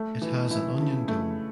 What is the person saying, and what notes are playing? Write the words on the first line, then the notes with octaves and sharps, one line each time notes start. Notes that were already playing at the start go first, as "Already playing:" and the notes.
It has an onion dome.
Already playing: A3
E3
E4
C#3
A3